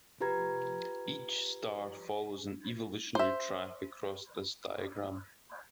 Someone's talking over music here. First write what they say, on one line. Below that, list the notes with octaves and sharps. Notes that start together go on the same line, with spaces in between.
Each star follows an evolutionary track across this diagram.
F4 G4 B4 A#5 G#6
C5 E5